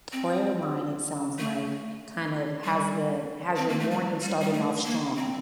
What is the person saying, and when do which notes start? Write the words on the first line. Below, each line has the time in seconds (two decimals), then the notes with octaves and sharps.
prayer line, it sounds like, kind of, has the has your morning starting off strong
0.12 C4
1.39 A3
2.64 G3
3.57 C4
3.69 A#3
3.79 A3
3.90 G3
4.22 G3
4.41 G3
4.53 A3
4.85 A#3
5.16 C4